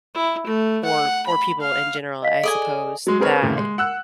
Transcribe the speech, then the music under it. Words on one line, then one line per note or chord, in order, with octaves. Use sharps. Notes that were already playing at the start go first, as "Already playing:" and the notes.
or or people in general, I suppose, that
E4
A3
F#5
B5
F5
D#5 F5 B6
G#4 A4 D5 D#5 G#5 D#6
F#3 G#3
C4 G#4 A#4 B4 C#5
D#1 A2 C#3
G#3
F#5 E6 F#6